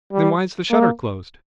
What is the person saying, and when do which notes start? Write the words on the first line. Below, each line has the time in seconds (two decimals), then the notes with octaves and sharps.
"Then why's the shutter closed?"
0.12 G3
0.70 A#3